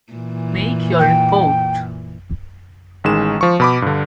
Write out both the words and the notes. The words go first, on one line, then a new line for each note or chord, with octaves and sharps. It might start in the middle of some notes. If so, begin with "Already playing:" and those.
Make your report.
A#2 E3
G5
A1 D#3 G#3 E7
F3 C#6
B2 B5 D6
G2 D3